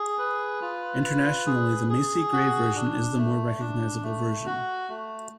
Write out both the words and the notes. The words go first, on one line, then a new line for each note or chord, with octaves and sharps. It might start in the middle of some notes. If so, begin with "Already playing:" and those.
Internationally, the Macy Gray version is the more recognizable version.
Already playing: G#4
B4
F4
B4
G#4
G#4
F#4
D4
A3
D4
A3
F#4
A3